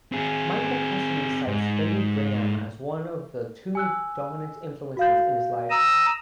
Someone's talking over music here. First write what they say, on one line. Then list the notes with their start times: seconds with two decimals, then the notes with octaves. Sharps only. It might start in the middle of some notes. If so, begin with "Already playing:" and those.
Michael Cassidy cites Billy Graham as one of two dominant influences in his life.
0.12 C4 G#4
1.47 G#2
3.75 G#5 E6 F#6
4.97 F#4 F5 G6
5.70 A#5 D#6 E6